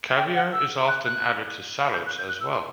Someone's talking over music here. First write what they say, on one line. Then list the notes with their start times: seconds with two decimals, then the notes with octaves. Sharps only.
Caviar is often added to salads as well.
0.18 G5
0.35 F#5
0.53 E6
0.88 F#6
1.05 F#6
1.94 G6
2.06 F#6
2.18 G6
2.29 F#6
2.41 E6
2.53 C6